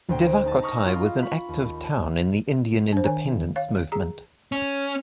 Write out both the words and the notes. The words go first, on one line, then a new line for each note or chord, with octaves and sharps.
Devakottai was an active town in the Indian Independence Movement.
D2 C5 G5
D#4 A5
A#5 B5 C#6 D#6 F6 A#6
F4
B5 C#6
D#2
D4 C5
D#3 C#5 G#5
C#5 F5
G#4 A#5
C#4